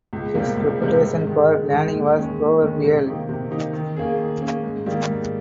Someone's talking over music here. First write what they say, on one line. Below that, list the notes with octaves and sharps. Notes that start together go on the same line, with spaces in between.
His reputation for learning was proverbial.
C#2
C3 G3 A#3
C#2
C3 G3 A#3
G#2
D#3 G#3
G#2
D#3 G#3
D#2
D#3 G#3 C#4
D#2
D#3 G#3 C#4
C3
D#3 A#3 D#4 G4
C3
D#3 A#3 D#4 G4
D#3
A#3 C#4 G#4
D#3
A#3 C#4 G#4
G#2
D#3 G3 A#3
G#2